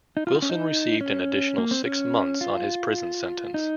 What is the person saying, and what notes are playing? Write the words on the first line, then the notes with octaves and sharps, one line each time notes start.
Wilson received an additional six months on his prison sentence.
D#4
F4
D#4
C#4
D#4
C#4
A#3
C4
C#4
F4
D#4